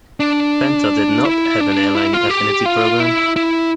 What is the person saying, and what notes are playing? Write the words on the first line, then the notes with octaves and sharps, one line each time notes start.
Penta did not have an airline affinity program.
D4
E4
D4
E4
F4
G4
F4
E4
E4